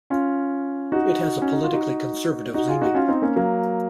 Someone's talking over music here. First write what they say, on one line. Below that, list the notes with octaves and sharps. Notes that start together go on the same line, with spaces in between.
It has a politically conservative leaning.
C#4 F4
D#4 F#4
C#4
D#4
F4
D#4 F#4
D#4 F#4
F4 G#4
D#4 F#4
C#4 F4
C4 D#4
A#3 C#4
F#3 A#3